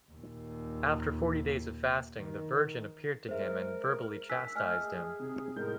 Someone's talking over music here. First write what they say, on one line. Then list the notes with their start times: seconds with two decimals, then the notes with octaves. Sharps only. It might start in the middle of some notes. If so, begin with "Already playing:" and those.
After forty days of fasting, the Virgin appeared to him and verbally chastised him.
0.12 D#2 A#2
2.18 D#3
3.29 G#3 A#4 C5 E5
4.29 G#5 E6 F#6 B6
4.56 A3 D#5 G#5 F6
4.77 G#4
5.19 C3
5.56 A2 G#3 A#4 G6